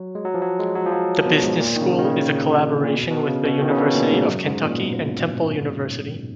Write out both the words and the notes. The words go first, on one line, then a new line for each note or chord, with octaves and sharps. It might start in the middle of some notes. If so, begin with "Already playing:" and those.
The business school is a collaboration with the University of Kentucky and Temple University.
Already playing: F#3
G#3
F#3
F3
F#3
G#3
F#3
F3
F#3
B2
G#2
A#2
D#3
C#3
D#3
C#3
A#2
B2
B2
C#3
B2
D#3
C#3
B2
A#2
G#2
F#2
G#2
A#2
B2